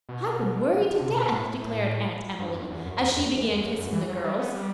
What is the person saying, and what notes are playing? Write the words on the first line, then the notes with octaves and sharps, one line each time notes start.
"I've been worried to death," declared Aunt Emily, as she began kissing the girls.
B2
D3
C3
B2
A2
G2
F#2
E2
F#2
E2
F#2
E2
F#2
F#2
E3
F#3
G3
B3
G3